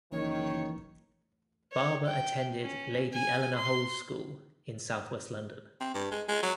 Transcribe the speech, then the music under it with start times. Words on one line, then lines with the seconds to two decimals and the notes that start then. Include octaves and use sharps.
Barber attended Lady Eleanor Holles School in south-west London.
0.12 F#1 D#3 E3 C#5
1.72 C#5
2.06 G5
2.62 C#4
3.13 G#5
3.55 C6
5.81 C4
5.94 G2
6.11 G#3
6.28 G#3
6.43 F#3